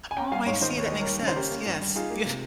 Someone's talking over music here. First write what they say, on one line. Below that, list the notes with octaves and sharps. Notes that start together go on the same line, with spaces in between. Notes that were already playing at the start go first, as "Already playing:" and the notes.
Oh, I see, that makes sense. Yes. Yeah.
G#5
C#4 G5 A#5
G3 F5 G#5
G#2 C#5 F5
D#3 C5 D#5
D#2 C#5
G3 D#5
A#4 C#5
D#2
C#3
C5
C#4 G4 A#4
A#3
G2
G3
D#4 F4 G#4
A#3
C3